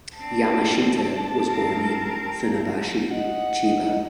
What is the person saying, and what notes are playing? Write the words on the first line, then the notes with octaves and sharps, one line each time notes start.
Yamashita was born in Funabashi, Chiba.
C4 D4 A5
C4 A#4
D#5 F#5